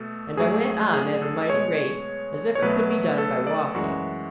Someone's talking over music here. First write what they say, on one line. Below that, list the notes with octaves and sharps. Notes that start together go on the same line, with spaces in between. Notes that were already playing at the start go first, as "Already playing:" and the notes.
And I went on at a mighty rate, as if it could be done by walking.
Already playing: B2 A3 A4
G#2 F#3 A3 G#4
G#4
A4
B2 G#3 C#5
C#5
B2 F#3 A3 B4
A4
D5
F#2 E3 G#3 F#4